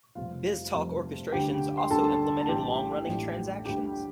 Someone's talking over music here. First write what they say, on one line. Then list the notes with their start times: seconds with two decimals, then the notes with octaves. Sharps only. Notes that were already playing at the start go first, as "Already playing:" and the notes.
BizTalk orchestrations also implement long-running transactions.
0.15 F1 F2 C3 G3 F4 F5
0.74 F1 F2 C3 G3
1.32 D2 D3 G3 G4 G5
1.77 C6
1.91 D2 D3 G3 A4 A5
2.41 A5
2.48 A1 A2 G3 G4 G5
3.07 A1 A2 G3
3.65 D2 D3 G3 G4 G5